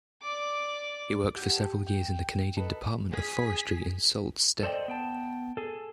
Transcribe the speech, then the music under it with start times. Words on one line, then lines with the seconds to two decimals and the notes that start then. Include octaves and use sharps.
He worked for several years in the Canadian Department of Forestry in Sault Ste.
0.22 D5 D6
1.35 G4 A4 F#5
1.87 G5
2.57 D#4 A4 B4
3.12 G#4 B6
4.63 A4 C5 D5 D#5 G5
4.88 B3 G5 A5
5.57 G#4 A4